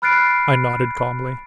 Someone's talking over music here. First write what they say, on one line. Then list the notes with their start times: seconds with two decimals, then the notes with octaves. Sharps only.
I nodded calmly.
0.02 B5 F6 F#6 A6 C7 D7